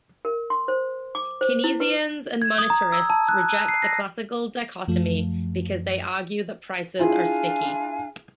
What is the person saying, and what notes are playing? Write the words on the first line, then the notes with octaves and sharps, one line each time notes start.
Keynesians and monetarists reject the classical dichotomy, because they argue that prices are sticky.
A#4
C6
C5
D6
C5
E4
B4
G#6
D#6
A#5
E6
A5
F#6
D#7
C7
A#6
F#2 F3 A3
D4 E4 F4 G#4 F5 G#5